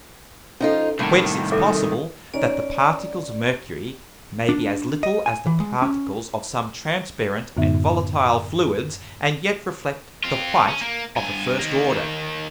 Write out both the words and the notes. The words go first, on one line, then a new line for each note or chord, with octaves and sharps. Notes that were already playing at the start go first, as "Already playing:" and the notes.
Whence it's possible, that the Particles of Mercury may be as little as the Particles of some transparent and volatile Fluids, and yet reflect the white of the first order.
F3 C#4 D#4 F4 A4
C2 A2 D#3 A#3
A4 E5 D6
C#4 D#4 D5
D4
D#5
G#5
E3
G#3
C#4
F#2 A2 D3 B3 D#4 E5
C4 F4
C#4
A#3
G2 G#5
D#3 A#3